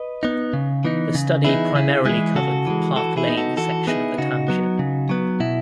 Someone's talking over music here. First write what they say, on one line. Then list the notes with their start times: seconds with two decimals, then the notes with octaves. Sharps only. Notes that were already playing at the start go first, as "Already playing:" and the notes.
The study primarily covered the Park Layne section of the township.
Already playing: B4 D#5
0.23 B3 D#4
0.53 C#3
0.85 E3 B3 D#4
1.15 C#3
1.45 E3 B3 D#4 E4 G#4
1.75 C#3 E4 G#4
2.05 E3 G#3 E4 G#4
2.36 C#3 F#4 A4
2.67 E3 G#3
2.96 E3 F#4 A4
3.17 E4 G#4
3.27 B3 D#4
3.37 F#4 A4
3.57 E3 F#4 A4
3.87 B3 D#4 E4 G#4
4.18 C#3 D#4 F#4
4.48 F#3 B3
4.79 C#3
5.09 F#3 B3
5.40 B2 E4